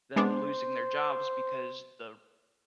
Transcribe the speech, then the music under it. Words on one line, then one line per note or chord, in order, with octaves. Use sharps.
them losing their jobs because the
G#3 B3 D4 C5